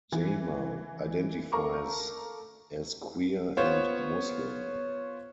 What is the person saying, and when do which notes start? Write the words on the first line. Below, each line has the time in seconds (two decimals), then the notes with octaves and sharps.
Jama identifies as queer and Muslim.
0.12 E3
1.52 A4 A#4 F5 A#5 C#6 D6
3.57 B3 F4 C5 C#5